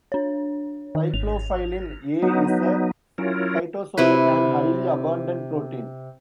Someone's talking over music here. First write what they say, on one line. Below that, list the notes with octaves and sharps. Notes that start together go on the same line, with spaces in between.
Cyclophilin A is a cytosolic and highly abundant protein.
D4 C#5
D#3
G#1 F7
F#3 B3 D#4
F#3 C#4 E4 F4 A#4
C3 E4 B4